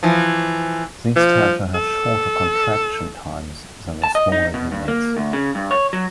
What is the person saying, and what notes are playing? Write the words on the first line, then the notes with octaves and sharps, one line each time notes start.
These tend to have shorter contraction times than the smaller units.
E3 F3
F3
A4
A5
D#5
D#4
B2
G2
A#3
D2
C#3
G2
C#5
F#3